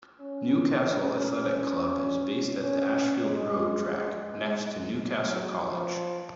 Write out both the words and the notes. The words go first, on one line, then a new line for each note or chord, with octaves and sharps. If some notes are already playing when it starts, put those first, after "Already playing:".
Newcastle Athletic Club is based at the Ashfield Road track, next to Newcastle College.
C#4
C#4
C#4
C#4
C#4
G#3
G#3
F#3
F3